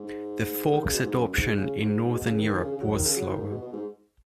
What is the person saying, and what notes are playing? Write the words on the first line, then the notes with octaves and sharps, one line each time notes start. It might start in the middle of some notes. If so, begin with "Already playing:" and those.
The fork's adoption in northern Europe was slower.
Already playing: G#2
D#3
C#3
B2
G#2
F#2
G#2
C#3
G#2
G#2
B2
C#3
D#3
D#3
C#3
C#3
F#3
D#3
C#3
F#3
D#3
G#2
B2
B2
G#2